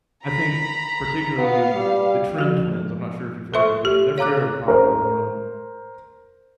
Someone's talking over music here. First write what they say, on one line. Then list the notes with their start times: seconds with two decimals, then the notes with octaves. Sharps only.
I think particularly the Tren Twins, I'm not sure if you've heard of them, they're fairly popular on
0.24 A#5 B5
1.38 B3 F5
1.74 G3
2.38 F3 F#4
3.54 A4 C5 E5 C6 C#6
3.85 G4
4.18 C#5 F5 A#5 D6 F#6
4.68 A#4 C5